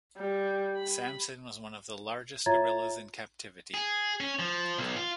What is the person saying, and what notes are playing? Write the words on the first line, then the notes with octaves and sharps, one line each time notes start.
Samson was one of the largest gorillas in captivity.
G3
B5
F4 C#5 E5 A#5 G#6 A6
G#4
C#4
F3
B1
F4